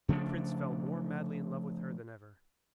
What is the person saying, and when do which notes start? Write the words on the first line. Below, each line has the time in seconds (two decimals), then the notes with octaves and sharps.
The prince fell more madly in love with her than ever.
0.09 C#3 F3 A3 D4